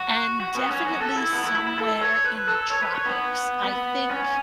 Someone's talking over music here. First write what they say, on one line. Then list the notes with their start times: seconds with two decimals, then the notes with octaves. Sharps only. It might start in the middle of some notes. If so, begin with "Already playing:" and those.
and definitely somewhere in the tropics; I think
Already playing: F#4
0.40 F#4
0.55 B3
0.71 C#4
0.86 F#4
1.01 A4
1.17 E4
1.32 B3
1.44 E4
1.56 E4
1.67 E4
1.79 A4
2.02 C#5
2.25 B4
2.48 A4
2.71 C#5
2.83 B4
2.95 C#5
3.06 B3
3.64 B3
4.11 C#4